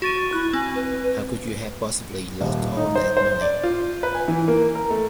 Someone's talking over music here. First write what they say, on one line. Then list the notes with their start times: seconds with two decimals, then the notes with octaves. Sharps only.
How could you have possibly lost all that money?
0.02 F#4 C#6 A6 D#7
0.33 E4 F#6
0.53 C4 G#5
0.75 B4
2.40 D#1
2.77 D#4
2.95 C5
3.17 C5
3.41 D5
3.64 F4
4.03 B4
4.15 G#5
4.28 E3
4.48 A#3
4.75 A#4
4.90 A3